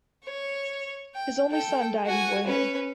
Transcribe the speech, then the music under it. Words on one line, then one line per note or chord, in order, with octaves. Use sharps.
His only son died in boyhood.
C#5
G5
A4 G5
F#4 G#5
C#4 B4